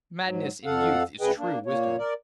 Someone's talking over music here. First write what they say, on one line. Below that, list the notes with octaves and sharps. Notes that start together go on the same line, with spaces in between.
'Madness in youth is true wisdom.
G#2 F#3
F2 A4 F5 F#5
D2 C#3 G#4 B4 D#5 G5
A#3 D4
A#2 A#3 C#5
A#4 D5